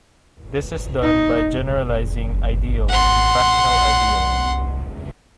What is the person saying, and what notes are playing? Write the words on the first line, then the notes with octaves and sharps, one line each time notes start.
This is done by generalizing ideals to fractional ideals.
D#4
F#5 C6